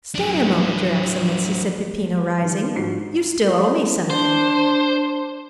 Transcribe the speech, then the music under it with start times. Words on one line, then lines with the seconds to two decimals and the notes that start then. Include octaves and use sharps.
"Stay a moment, your excellency," said Peppino, rising; "you still owe me something."
0.15 F#3 D4
2.41 D#3 G3
2.75 G#2 D3 F3 F#4 C7
4.10 D4 C5